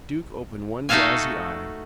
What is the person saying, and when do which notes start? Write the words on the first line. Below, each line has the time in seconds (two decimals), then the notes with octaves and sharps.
Duke opened one drowsy eye.
0.89 A3 D#4 F#4 A4 F5 G#5